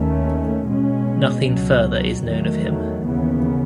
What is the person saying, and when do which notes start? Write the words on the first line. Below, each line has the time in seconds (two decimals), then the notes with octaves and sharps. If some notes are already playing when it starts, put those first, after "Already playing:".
Nothing further is known of him.
Already playing: D#2 D#3 A3 C#4
0.65 B2 G#3 C#4
1.45 C#2 B2 F#3
2.25 E2 D#3 F#3 A3
3.05 D#2 C#3 E3 B3